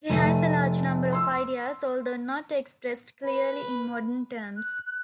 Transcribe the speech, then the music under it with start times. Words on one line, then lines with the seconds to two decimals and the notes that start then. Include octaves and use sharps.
He has a large number of ideas, although not expressed clearly in modern terms.
0.10 F1 A3 D#7
1.13 C6 E6
3.24 B4
4.56 F#6